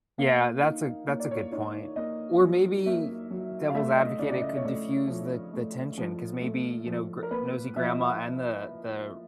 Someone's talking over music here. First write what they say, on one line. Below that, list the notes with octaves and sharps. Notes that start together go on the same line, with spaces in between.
Yeah, that's a that's a good point, or maybe, er, devil's advocate, it could diffuse the the tension 'cause maybe, you know, gr nosy grandma and the the
A#3 F5
D#4
A#3 C#5
D5
C#5
D#4 C#5
A#3 D#5
F#3
A#3 E5
F#3
F5
A3 E5
E5
D#5
C#3 D5
D5
D#5
C#5
A3 D5
F3
A3
F3
A3
F3
A#4
A#3 B4
F3 E5
D#5
E5